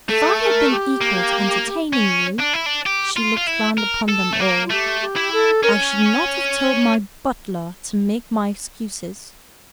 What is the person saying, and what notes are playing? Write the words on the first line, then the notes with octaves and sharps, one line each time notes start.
If I had been equal to entertaining you"--she looked round upon them all--"I should not have told my butler to make my excuses.
A3 A4
A#4
G4
A#3
C#4
D4
E4
D4
G4
F4
F4
E4
A#4
A4
A3
A#3
F4
A3 G4
G4
E4
A4
C#4 A#4